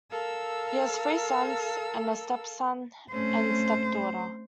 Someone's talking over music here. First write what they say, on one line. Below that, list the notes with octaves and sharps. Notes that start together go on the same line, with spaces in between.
He has three sons, and a stepson and stepdaughter.
A4 A#4 F5 E6
A3 C4 C#4 C5